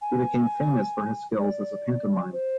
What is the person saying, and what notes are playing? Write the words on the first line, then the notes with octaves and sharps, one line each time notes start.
He became famous for his skills as a pantomime.
G#5
D5
C5